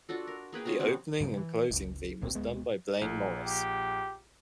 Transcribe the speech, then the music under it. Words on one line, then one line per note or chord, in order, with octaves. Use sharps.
The opening and closing theme was done by Blain Morris.
D4 F4 F#4 A4
A#4
A#3 G#4 B4 G5
C#4 F4 F#4 A#5
F#3 B3 C4 D4
G2 C#3 F#3
E3
F#1 C#2
D#1 B1 A#2 C4
D1 G#3 B3
A#1
G4